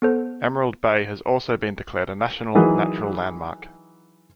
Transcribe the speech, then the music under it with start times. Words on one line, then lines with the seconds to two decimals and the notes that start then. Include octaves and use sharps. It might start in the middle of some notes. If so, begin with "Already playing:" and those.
Emerald Bay has also been declared a National Natural Landmark.
0.02 B3 A4 C5
2.55 D#3 E3 F#3 G#4